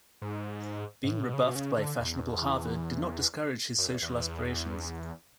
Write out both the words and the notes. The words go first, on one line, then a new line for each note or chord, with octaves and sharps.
Being rebuffed by fashionable Harvard did not discourage his social aspirations.
G#2
G#2
A2
B2
C#3
B2
C#3
D3
E2
F#2
E2
E2